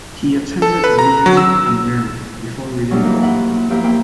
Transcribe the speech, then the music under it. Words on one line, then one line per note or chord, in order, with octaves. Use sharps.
He attended William and Mary before reading law.
A4
B4
A#5
F#3
E6
F#3 G3 A3 D4 D#4
E3 F3 A#3 D#4
E4 F4 F#5
F#3
F3 A#3 E4 F4 G4
A#3 E5 G5